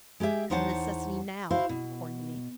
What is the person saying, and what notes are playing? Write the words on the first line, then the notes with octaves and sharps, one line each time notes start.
It's a necessity now, according to me.
G#3 G4 G#4 E5
E2 D#4 C5 C#5 F#5 A5
E4 F#4 C5 F5
B2